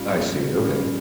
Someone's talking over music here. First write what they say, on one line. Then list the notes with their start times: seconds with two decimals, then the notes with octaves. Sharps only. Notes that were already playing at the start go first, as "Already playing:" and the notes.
I see, okay.
Already playing: A#2 G3 C#4 F4
0.21 A#2
0.56 G3 C#4 F4